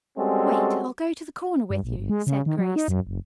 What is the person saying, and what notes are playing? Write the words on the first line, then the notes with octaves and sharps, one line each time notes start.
"Wait, I'll go to the corner with you," said Grace.
G3 G#3 C4 C#4 F#4 A4
G2
A#1
G1
G#3
C#3
D#3
F#3
D#4
F#2
F#1